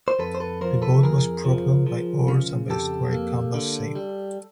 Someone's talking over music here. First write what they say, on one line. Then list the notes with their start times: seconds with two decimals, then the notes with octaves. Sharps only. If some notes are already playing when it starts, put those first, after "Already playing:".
The boat was propelled by oars and by a square canvas sail.
0.08 C5
0.19 F2 A4 B4
0.35 C5
0.40 A4 B4
0.61 F3 A#4 C5
0.82 A4 B4
1.03 F2 G#4 A#4
1.44 F3
1.87 F3
2.28 C#3
2.70 F2 G4 A4
3.12 A#3
3.54 D3
3.95 G3